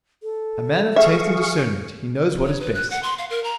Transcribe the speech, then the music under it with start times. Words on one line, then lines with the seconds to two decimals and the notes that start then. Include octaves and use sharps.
A man of taste and discernment, he knows what is best.
0.23 A4
0.96 G#4 E5 F5 C#6
2.46 C#5
2.60 B4
2.74 F#6
2.90 F#5
3.03 C6
3.18 F5
3.30 A#4
3.44 A#5